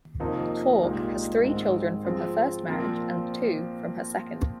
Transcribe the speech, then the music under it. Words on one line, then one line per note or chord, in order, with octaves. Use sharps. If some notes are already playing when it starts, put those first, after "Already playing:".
Tork has three children from her first marriage and two from her second.
F2 C3 F3 A#3 D#4
C2 A#2 G#3 D#4 G4
G#2 D#3 G#3 C4 D#4
F3 C4 F4 G#4
A#2 F3 C4 F4 A#4